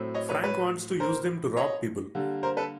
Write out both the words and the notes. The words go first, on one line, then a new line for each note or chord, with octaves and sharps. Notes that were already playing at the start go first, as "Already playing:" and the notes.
Frank wants to use them to rob people.
Already playing: A2 F#3 A3 C4
C#5 D#5
B4 C#5
B4 C#5
A#4 C5
C#5 D#5
D3 G3 A#3
A#4 C5
A4 B4